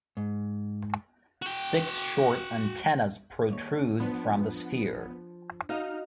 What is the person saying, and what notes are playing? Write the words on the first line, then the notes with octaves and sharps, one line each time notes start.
Six short antennas protrude from the sphere.
G#2
F#4 G5
D#2 C#5
F3 B3 D4
D#4 F#4 D#5 F5 F6